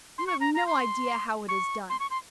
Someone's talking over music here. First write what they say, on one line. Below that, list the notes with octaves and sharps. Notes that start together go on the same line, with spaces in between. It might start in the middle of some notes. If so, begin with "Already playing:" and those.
'You have no idea how it is done.
C6
C#6
A#5
A#5
C6
C#6
C6
C#6
C6